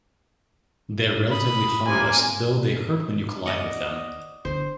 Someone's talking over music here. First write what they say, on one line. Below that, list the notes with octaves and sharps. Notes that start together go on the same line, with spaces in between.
They are relatively harmless, though they hurt when you collide with them.
B5 D#6
C3 A#3 G#5
D5 D#5 F#5
D3 C5